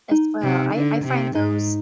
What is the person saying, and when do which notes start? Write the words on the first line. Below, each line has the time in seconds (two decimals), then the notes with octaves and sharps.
As well, I I find those
0.12 D#4
0.43 C3
0.74 D3
1.05 C3
1.35 G#2 D#4